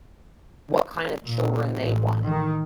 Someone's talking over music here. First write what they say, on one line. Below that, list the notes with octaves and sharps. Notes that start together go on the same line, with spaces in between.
what kind of children they wanted.
A#2
A1
D#3